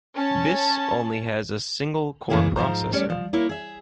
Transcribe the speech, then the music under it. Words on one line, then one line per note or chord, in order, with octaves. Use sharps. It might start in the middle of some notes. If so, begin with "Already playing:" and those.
This only has a single core processor.
C#4 A5
F#2 C#3 E3 G#3 A#3 G#4
G#2 F3 C5 A#5
G3 A3 C#4 D5
F3
A#3 E4 A#4 C#5
G#4 E5